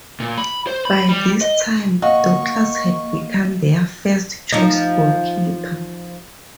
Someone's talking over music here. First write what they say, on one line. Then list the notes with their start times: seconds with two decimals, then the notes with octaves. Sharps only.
By this time, Douglas had become their first-choice goalkeeper.
0.20 A#2
0.38 B5
0.67 C5
0.85 B5
1.09 G3
1.41 D#5
2.02 A#3 F#4 D#5 F5 C#6
4.52 F3 D#4